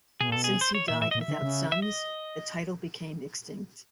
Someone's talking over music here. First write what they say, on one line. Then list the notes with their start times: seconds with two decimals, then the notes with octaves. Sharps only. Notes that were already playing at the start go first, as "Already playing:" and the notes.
Since he died without sons, the title became extinct.
0.21 B2 G#4
0.29 A#2
0.32 B2 A4
0.44 G#4
0.61 C5
0.75 C#5
0.88 A#2 E5
1.02 A2 E5
1.11 A#2 D#5
1.21 E5
1.28 D3
1.42 C#3
1.72 E5
1.82 D#5